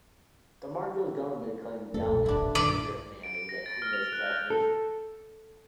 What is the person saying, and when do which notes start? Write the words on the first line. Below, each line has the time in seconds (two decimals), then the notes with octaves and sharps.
The Marcos government claimed Galman was the trigger man in Aquino's assassination.
1.94 F2 A3 A4
2.08 B1 A#2
2.26 D1 G#1 D4 E4
2.55 A#1 G2 D#3 F4 A#4 D5 E5
3.23 D7
3.35 D7
3.49 A#6
3.66 A6
3.82 F6
3.93 F7
4.13 F#6
4.26 G6
4.50 A4